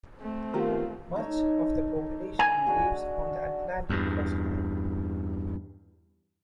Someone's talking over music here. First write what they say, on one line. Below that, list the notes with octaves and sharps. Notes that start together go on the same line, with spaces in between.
Much of the population lives on the Atlantic coastline.
A3 C4
D#3 B3 F4 G4 A#4
D#4 A4 C#5
G#5
D4 F#4 G#4
E2 G2